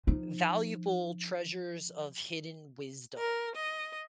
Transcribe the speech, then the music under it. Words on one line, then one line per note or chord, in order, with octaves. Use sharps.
valuable treasures of hidden wisdom.
F3 D#4
A#4
D#5